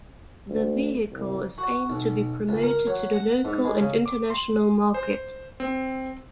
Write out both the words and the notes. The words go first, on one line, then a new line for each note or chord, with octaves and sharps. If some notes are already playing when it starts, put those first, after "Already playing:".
The vehicle is aimed to be promoted to the local and international market.
D2
C2
F#4
B1
C#2
A#4
F#3
F#5
G#2
G#3
C#3
D6
C6
C5
C4